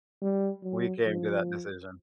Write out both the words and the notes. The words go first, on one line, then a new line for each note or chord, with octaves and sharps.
we came to that decision.
G3
F#3
F3